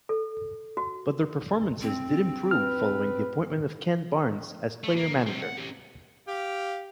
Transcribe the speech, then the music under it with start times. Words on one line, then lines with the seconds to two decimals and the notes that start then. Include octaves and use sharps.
But their performances did improve following the appointment of Ken Barnes as player-manager.
0.09 A4
0.77 F#4
1.81 C4
2.51 B4 F6
4.83 A3
4.96 A#3
5.13 B2
5.26 G3 C4
5.42 F#5
5.58 C#4 G4
6.28 G4 F5